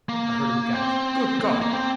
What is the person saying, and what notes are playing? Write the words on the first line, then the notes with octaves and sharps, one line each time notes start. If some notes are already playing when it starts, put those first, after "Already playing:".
I heard him gasp, "Good God!"
A#3
C4
C4
A#3
A#3
C4